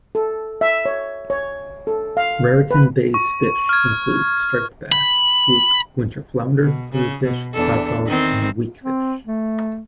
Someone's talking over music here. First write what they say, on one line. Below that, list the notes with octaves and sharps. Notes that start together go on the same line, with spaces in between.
Raritan Bay's fish include striped bass, fluke, winter flounder, bluefish, tautog and weakfish.
A4
E5
C#5
C#5
A4
F5
B4
C#6
F6 G#6
B5
B2
C#3
B2
E2 D4 A4
D#3 E3 C4
C4
A3